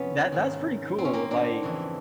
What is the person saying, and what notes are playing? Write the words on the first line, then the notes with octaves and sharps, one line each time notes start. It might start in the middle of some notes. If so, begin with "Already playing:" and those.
that that's pretty cool. Like,
Already playing: F2 C3 E3 B3 C#4
G#2 D#3
C4
C#4
A#3 C4
C4 D4
F2 C#3 E3